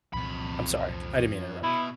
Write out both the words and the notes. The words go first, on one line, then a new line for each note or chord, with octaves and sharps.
I'm sorry, I didn't mean to interrupt.
C2 F2 A#2 E3 B5
B2 E4